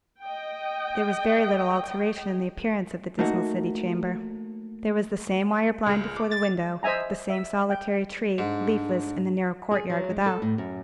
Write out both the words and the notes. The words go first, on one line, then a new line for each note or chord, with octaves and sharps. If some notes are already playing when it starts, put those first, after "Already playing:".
There was very little alteration in the appearance of the dismal city chamber. There was the same wire-blind before the window, the same solitary tree, leafless, in the narrow courtyard without.
D#5 G5
A3 A#3 D#4 F#4
C#2 G#3 F6
D6
A6
C5 D#5 E5 G#5 A#5
E5
G5
G#2 D4
G#4
F#3
G#3
A4
A2
F#2